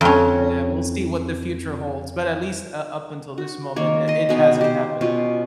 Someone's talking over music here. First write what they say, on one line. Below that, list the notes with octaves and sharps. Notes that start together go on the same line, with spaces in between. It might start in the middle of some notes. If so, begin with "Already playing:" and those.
uh, we'll see what the future holds. But at least, uh, up until this moment, it it hasn't happened
F2 C#4
F#4
D#3 A#3 C#5
D#5 C6
B2 B3 D#4 G#5
G4 C5
B2 C#4 F4